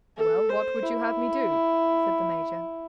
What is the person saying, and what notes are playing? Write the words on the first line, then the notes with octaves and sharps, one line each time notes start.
"Well, what would you have me do?" said the major.
A4
C5
E4